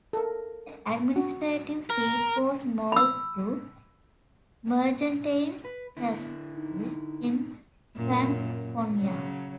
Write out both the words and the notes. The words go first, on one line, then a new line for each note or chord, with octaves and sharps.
The administrative seat was moved to Mergentheim Castle in Franconia.
A4 A#4
F#4
A#4
B5 E6
B4
D3 B3 E4
D#4
F#2 A#2
C#3 F#3